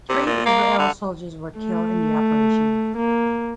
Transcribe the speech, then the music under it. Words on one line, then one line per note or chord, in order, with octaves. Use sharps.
Three Israeli soldiers were killed in the operation.
C3
A#2
A#3
D3
A3
A#3